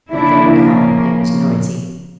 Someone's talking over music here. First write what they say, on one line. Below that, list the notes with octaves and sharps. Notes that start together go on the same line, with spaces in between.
The very copperplate was noisy.
C#3 F3 A#3 D4 E4